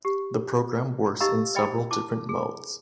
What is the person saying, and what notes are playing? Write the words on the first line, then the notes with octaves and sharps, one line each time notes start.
The program works in several different modes.
G4
D#4 G4 D#5 F5 A#5 E6
B4 D5 D#5 G5 B5
E4 A5 D6
G#4